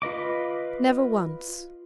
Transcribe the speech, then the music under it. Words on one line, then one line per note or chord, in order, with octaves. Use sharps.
Never once!
F4 B4 D#5 D6